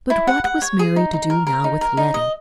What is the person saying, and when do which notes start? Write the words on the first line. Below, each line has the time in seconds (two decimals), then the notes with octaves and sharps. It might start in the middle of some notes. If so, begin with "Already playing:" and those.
But what was Mary to do now with Letty?
0.10 E4
0.27 F#5
0.44 F#5
0.62 C#5
0.79 G#4
0.96 D#4
1.13 D#4
1.30 A#4
1.47 A#4
1.64 D#4
1.81 A#4
1.97 D#4
2.14 D#5